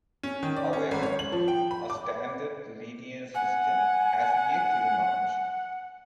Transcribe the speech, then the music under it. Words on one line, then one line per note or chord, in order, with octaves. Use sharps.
However, a standard linear system has yet to emerge.
C#4
D#3
D5
C#4
G#1
C#5
F#7
F3
G5
B5
D6
F#5 G#5